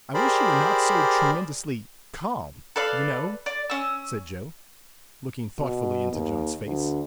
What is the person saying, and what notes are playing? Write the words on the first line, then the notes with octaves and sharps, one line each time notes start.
"I wish you were not so tremendously calm, you know," said Joe, looking thoughtfully into John's face.
G4 G#4 A#4 C5 D5 B5
A4 B4 D5 F5
D5
C#4 E6
B2
D#2
D2